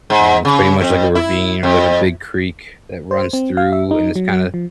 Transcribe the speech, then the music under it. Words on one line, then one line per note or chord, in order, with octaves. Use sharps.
um, it's pretty much like a ravine or like a big creek that runs through, and it's kinda
G#2
C#3
F2
E4
F2
C5
C4
F5
E5
D#4
F#3
F3